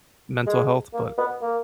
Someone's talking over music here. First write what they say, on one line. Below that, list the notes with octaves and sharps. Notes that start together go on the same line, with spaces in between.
mental health, but
G#3
A#3
B3
A#3